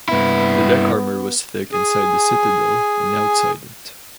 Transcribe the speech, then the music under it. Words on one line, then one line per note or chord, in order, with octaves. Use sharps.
The deck armor was thick inside the citadel and outside it.
G2 B3 E4
G#4 G#5